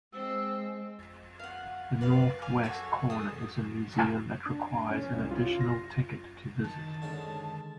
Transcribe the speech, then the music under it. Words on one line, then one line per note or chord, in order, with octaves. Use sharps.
The northwest corner is a museum that requires an additional ticket to visit.
G#3 C4 E6
F5 F#5
B4 D5 F5
F5 G#5 D6
F#4 A4 C#5 G#5
G#4 A4 D#6
D4
G#5
C#4
C2
F4
A#6
D#3 A5
D3 G#3 C#4